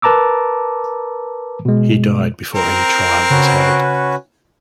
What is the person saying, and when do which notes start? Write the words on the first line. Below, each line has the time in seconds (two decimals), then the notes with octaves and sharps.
He died before any trial was held.
0.02 A#4 B4 A5 A#5 D6 E6
1.65 B2 G#3
2.54 C4 A#4 A#5
3.30 C#3 C#4 F#4 B4